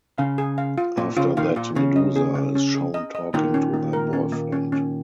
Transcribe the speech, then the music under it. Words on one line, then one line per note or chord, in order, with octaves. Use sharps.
After that, Medusa is shown talking to her boyfriend.
C#3 F5
G#4
F5
F4
A#2 F4
C#3 F4
A#2 D#3 F5
A#2 F4
C#3 C#4
D#5
G#4
C#4
C#4
G#4
D#5
D#5
A#2 D#3 A#3
C#4
A#3
A#4
C#4
A#3
C#4
C#4